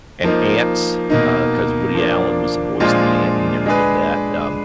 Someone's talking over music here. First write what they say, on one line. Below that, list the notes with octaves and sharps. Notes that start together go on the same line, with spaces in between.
and Ants, uh, 'cause Woody Allen was the voice of the ant, he never did that, um,
F3 A#3 D#4
B2 A#3 D#4
F3 A#3 D4
A#2 F3 G#3 D4 F4
G#3 D4 G#4 B4